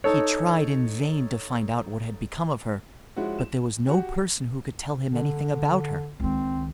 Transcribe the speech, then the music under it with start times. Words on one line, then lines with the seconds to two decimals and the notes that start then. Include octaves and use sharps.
He tried in vain to find out what had become of her, but there was no person who could tell him anything about her.
0.04 D#4 A4 C#5
3.16 F3 G#3 C#4 E4 F#4
3.39 E7
3.87 F#4 G4
5.12 D3
6.20 C#2 D#3 C4